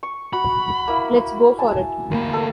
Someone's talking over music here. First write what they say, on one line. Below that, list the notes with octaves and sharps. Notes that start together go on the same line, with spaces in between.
Let's go for it.
C#6
F#4 B5
A#3 E4
G#5 A5
D2 A#3 A#4 G5 B5
A4 A#4